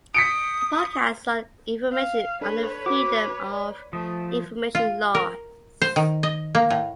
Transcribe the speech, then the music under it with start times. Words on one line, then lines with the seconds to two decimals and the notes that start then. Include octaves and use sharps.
The podcast sought information under Freedom of Information laws.
0.14 D#6 B6 C#7 D7
1.91 F5
2.41 D4 A4 B4 C#5
2.86 F#4 D6
3.53 D5
3.93 F3 A3 D#6
4.75 F4
5.15 A#4
5.82 C5
5.96 D#3
6.23 D#5
6.55 A#3
6.70 A2